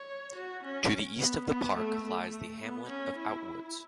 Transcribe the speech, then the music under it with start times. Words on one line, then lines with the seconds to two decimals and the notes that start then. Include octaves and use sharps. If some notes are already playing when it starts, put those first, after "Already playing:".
To the east of the park lies the hamlet of Outwoods.
Already playing: C#5
0.35 F#4
0.64 C#4
1.20 B3
1.48 B3
1.76 A3
2.04 A3
2.61 B3
2.88 C#4
3.17 E4